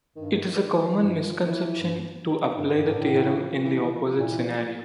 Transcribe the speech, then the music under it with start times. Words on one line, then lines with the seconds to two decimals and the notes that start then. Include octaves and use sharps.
It is a common misconception to apply the theorem in the opposite scenario.
0.16 G2 D#3
0.97 G2 E3
1.24 F3
1.46 D#3
1.50 E3
1.77 G2
2.57 G2 D3
2.77 G2
2.84 G#2 D3
2.98 A2
3.11 E3
3.37 F3
3.65 E3
3.91 F3
4.17 A#2 E3
4.44 F3